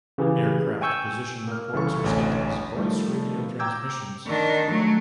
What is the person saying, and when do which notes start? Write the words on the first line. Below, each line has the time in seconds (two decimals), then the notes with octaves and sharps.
Aircraft position reports are sent as voice radio transmissions.
0.18 C#3 E3 G4 G#4
0.81 G5 G#5 C#6 E6 G6
1.47 A#3 F6
1.73 C2 C#3 E3 A4 C#6
2.04 A1 D2 C#5
2.76 D#3 F3 G3 A3
3.59 G5 A#5 D6 E6 G6 G#6
4.27 D#3 D4
4.69 F#3 A3